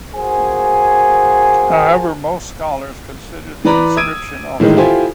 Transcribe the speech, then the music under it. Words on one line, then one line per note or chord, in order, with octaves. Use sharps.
However, most scholars consider the inscription authentic.
A#3 F#4 G#4 C5 G#5
E3 B4 D5 A#5 B5 D6
D#6 E6 G#6 D7 D#7
A2 D#3 E3 G#3
E4 F4 G4 A4 C5 G#5